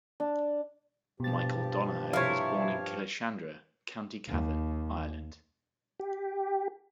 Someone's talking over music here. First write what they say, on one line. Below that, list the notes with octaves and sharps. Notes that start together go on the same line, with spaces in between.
Michael Donohoe was born in Killeshandra, County Cavan, Ireland.
D4
G2 B2 F3 G4 A6
C3 E4 C#5 F5
D#2
G4